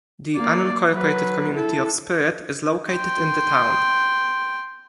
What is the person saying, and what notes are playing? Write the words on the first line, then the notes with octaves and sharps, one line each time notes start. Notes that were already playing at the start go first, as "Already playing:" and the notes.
The unincorporated community of Spirit is located in the town.
A#3 D5
F#3 B4
E4 A4
G5 C6